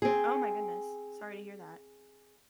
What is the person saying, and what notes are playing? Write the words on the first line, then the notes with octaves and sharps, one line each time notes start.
Oh my goodness. Sorry to hear that.
C4 G#4